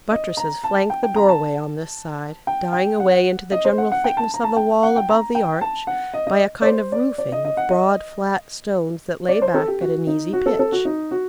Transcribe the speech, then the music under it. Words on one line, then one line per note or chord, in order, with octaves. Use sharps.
Buttresses flank the doorway on this side, dying away into the general thickness of the wall above the arch by a kind of roofing of broad flat stones that lay back at an easy pitch.
D#5
A#5
A5
G5
G5
A#5
A5
G5
G5
F#5
D#5
C5
F#5
F#5
G5
A5
A#5
A5
G5
F#5
G5
A#5
G5
A5
F#5
D#5
D#5
D5
C5
D5
D5
D#5
D#5
F#5
D#5
D5
C5
A4
G4
F#4
D#4
F#4
A4
A4
F#4
D#4
F#4